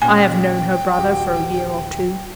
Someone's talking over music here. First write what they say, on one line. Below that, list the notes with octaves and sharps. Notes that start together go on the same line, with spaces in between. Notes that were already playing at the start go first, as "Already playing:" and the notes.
I have known her brother for a year or two.
A#2 C#4 G5 G#5
D#1 F#4 G4